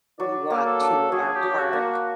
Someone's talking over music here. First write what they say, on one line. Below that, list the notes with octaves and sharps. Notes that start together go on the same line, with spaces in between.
we walk to our park
F#3 D5
A#3
A4
D4
F#3 G#4
G4
F#3
F#4
A#3
F#4